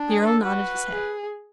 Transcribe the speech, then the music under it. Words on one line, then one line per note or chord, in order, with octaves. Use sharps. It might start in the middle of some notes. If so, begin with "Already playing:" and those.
The Earl nodded his head.
Already playing: D4
G#4
B4
A4
F#4 B4
G#4